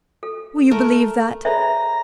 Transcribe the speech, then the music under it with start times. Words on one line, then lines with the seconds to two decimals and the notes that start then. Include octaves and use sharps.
Will you believe that?
0.23 A4
0.71 A3 A#4
1.45 G#4 B4 C#5 D5 E5 A#5